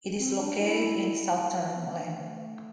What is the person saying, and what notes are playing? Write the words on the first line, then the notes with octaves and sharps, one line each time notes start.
It is located in Sutherland.
C4
D4
E4
B3
A3
A3